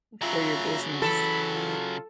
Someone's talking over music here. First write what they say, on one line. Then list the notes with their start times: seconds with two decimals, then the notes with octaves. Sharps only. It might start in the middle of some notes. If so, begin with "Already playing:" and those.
For your business.
0.22 C#3 F#3 F4 E5 A#5
1.02 E3 A4 B5
1.54 F4